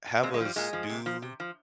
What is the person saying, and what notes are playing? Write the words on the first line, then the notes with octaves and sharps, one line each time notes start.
have us do
A#2 G#3 C4
G#3
F3 G3
A#2 G#3
F3
C3
F3
C3
F3